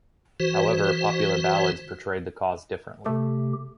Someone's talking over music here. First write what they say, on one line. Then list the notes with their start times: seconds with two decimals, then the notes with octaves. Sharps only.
However, popular ballads portrayed the cause differently.
0.40 E3 F#4 C5
3.06 C3 A3 G4